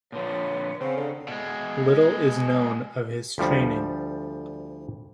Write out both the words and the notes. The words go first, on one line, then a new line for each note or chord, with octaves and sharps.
Little is known of his training.
A#2 D3 F3 B4 C#5
C#3 C4 F5 F#5 A#5
D3
B2 G#3
D2 F3 G3